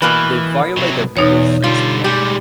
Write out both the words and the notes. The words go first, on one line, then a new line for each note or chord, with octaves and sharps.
They violate the reader's sense of life.
B2 E3 A#3 B4
C3 F#3
E2 B2 D#4 C#5
D3 G3 F4
G3 G#3 G4